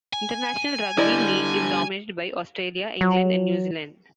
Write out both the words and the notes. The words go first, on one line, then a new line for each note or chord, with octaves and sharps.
International Rugby League is dominated by Australia, England and New Zealand.
G#5
D3 G3 E4 D5 D#5
F#3